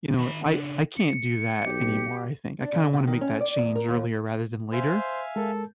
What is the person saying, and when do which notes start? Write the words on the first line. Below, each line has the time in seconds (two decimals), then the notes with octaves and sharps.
you know? I I can't do that anymore, I think. I kinda wanna make that change earlier rather than later,
0.19 D#3 B5
0.45 C#3 D4
0.97 C#7
1.64 B1 G4
2.60 D4
2.73 C#3
2.93 C3
3.07 D#3
3.21 C#4
3.41 D5
3.56 E2
3.76 A#4
3.89 D#2
4.73 C5 E5 F5 G#5
5.36 G#3 A4 A#4